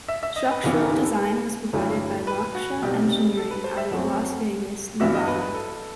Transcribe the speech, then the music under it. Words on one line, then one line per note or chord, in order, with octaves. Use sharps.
Structural design was provided by Lochsa Engineering out of Las Vegas, Nevada.
E5
E5
D#5
B4
G1 G2 E3 B3 E4 F#4
A4
G4
A4
B4
G1 G2 F#3 A3 E4
B4
F#4
B1 B2 G3 C4 D#4 G4
A4
B4
C5
E5
F#2 F#3 A3 C4 F#5
G2 E3 B3 F#4 E5
D#5
B4
B4
A4